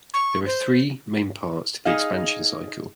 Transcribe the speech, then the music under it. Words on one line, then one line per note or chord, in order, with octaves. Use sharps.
There are three main parts to the expansion cycle.
C#6
C5
D#4 G#4 D#5 F5